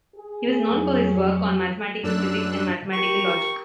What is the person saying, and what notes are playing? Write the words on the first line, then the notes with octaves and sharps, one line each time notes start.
He was known for his work on mathematical physics and mathematical logic.
G#4
F2 F#3 C#4
F#2 D4 E6 F#6
G4 A#4 C#6